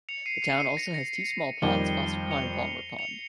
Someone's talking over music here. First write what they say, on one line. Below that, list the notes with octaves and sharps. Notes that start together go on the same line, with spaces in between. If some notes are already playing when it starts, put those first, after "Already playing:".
The town also has two small ponds, Foster Pond and Palmer Pond.
C#7 F7
C7 D#7
C7 D#7
C#7
C7 D#7
A#6 C#7
A#6 C#7
F2 D#3 G3 D#7 G7
C#7 F7
C#7 F7